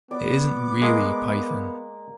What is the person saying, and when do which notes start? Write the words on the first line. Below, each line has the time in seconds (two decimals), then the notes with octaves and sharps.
It isn't really 'Python.
0.11 B3 D5 D6
0.82 G#3 A#3